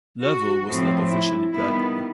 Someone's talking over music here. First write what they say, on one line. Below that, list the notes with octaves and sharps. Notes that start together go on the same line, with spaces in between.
Level was not officially platted.
F#4
A2 F3 A3 C4
E4
D#3 G3 B3 E4